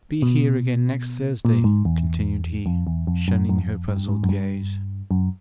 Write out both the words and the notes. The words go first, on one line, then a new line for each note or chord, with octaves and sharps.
'And be here again next Thursday,' continued he, shunning her puzzled gaze.
B2
A#2
G#2
E2
F2
E2
F2
F#2
F#2
F2
G2
G#2
F#2
G2
F#2